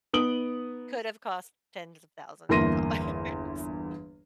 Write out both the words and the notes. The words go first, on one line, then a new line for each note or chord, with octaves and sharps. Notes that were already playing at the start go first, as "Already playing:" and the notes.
could've cost tens of thousands of dollars.
B3 D#4 D#6 D7 F#7 G7
G1 E2 A#3 C6 A#6 D#7